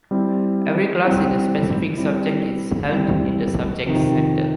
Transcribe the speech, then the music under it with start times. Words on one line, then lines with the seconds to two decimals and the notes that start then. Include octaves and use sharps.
Every class in a specific subject is held in the subject's center.
0.11 G3 C4 E4
1.04 G3 C4 E4
1.98 G3 C4 E4
2.92 G3 C4 E4
3.86 F2 C3 D#3